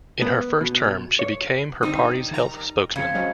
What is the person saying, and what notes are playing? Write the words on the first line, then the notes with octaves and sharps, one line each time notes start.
In her first term she became her party's health spokesman.
B3
B2
C#5
D3 G3 C4 D#4
D#3 A#5
F2 C#3 C4 F5 G#6 C#7
F#3 G#3 C#4 C5 D#5